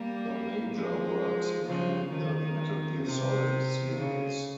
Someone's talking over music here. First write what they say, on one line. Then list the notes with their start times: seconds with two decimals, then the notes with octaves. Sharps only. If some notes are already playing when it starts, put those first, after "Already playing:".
Her major works include the "Metal Gear Solid" series.
Already playing: G3 A#3
0.73 F3 G#3
1.65 C#3 F3
2.11 D#3
3.04 C3
3.96 C#3